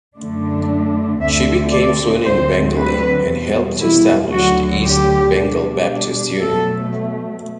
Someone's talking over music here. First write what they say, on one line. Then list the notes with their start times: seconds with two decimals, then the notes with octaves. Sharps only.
She became fluent in Bengali and helped establish the East Bengal Baptist Union.
0.17 F#2 D3 A3 D4
1.21 D2 D3 A3 C4 E5
1.72 D5
2.25 D2 D3 F#3 C4 C5
2.77 B4
3.28 E2 B2 G3
3.81 E4
4.33 D2 D3 F#3 F#4
4.85 G4
5.37 B2 G3 D4
6.40 B2 F#3 A3 A4